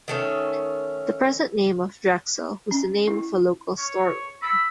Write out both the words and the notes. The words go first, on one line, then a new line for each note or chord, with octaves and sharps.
The present name of Drexel was the name of a local store owner.
D#3 A3 C#4
C#4
E4
C#5
B5 E6